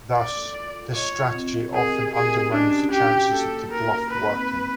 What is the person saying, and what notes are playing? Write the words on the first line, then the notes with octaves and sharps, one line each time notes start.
Thus, this strategy often undermines the chances of the bluff working.
A3 D5
A4
F4
F4
C#5 D#5
F4
C4
D#5
G#4 A#4
G4
G#4 A#4
G4
C#4 D4
F#4
F#4 G4
F#4
A#3 A4
A#3
D#4 A#4
A#3
C4 B4
C4
C4